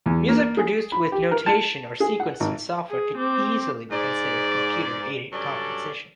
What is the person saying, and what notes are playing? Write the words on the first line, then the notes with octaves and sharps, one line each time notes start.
Music produced with notation or sequencing software could easily be considered computer-aided composition.
E2
A#3
G#4
B5
G4
A#4
A5
G#4
F#5
G#1
G#4
C4 D6
G#2 D5
G2 F#3 C#4 A4 D5